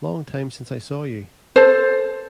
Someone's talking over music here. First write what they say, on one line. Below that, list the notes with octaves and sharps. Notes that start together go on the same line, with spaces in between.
Long time since I saw you.
A4 C5